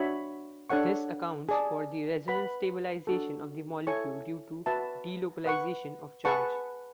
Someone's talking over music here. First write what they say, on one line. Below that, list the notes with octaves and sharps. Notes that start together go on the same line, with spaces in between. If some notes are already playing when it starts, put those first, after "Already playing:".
This accounts for the resonance stabilization of the molecule due to delocalization of charge.
Already playing: D4 F#4 C#5 E5 B5
D4 A4 C#5 F#5 C#6
G#4 D5 A5
B4 F#5 B5
D4 F#4 A4
E4 A4 C#5 G#5 C#6
F#4 B4 E5 A5
B4 F#5 C#6
G#4 B4 F#5 A5 C#6